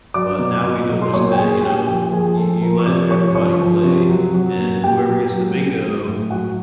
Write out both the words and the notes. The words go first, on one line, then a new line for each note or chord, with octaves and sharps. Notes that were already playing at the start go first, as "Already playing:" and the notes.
but now we noticed that, you know, if you you let everybody play and whoever gets the bingo,
F#3 D5 D6
B2
B2
F#3
C6
A#2 C#5 C#6
G5
A#2 G#4 G#5
A#2 G4 G5
G#5
F3 G4 G5
G5
F3 G#4 G#5
F3 A4 A5
F3 A#4 A#5
C#6
C3 D5 D6
F3 C#5 C#6
F3 C#5 C#6
F3
C3
F#3
F#3
A#2
A#2 G4 G5
F#3
F#3
F#3
F#3
A2
F#3 F#4 F#5